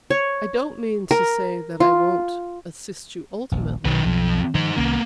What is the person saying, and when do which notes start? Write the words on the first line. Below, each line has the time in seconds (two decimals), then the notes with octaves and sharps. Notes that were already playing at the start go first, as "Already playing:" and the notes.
I don't mean to say that I won't assist you ultimately.
0.10 C#5
1.11 A#4
1.80 F4
3.52 D#1 A#1
3.85 B1 B2 D#3 F#3 B4
4.06 B1 F2
4.55 D#3 F3 D#4 C5
4.77 C2 D#3 A#3 B3 C#4